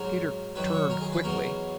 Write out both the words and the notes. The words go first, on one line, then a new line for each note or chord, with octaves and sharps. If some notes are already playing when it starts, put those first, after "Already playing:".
Peter turned quickly.
Already playing: G#2 F#3 A#4
F#2 D#3 F#3 B4
C#5
A#4
G#4
B4
E2 B2 F#3 A#4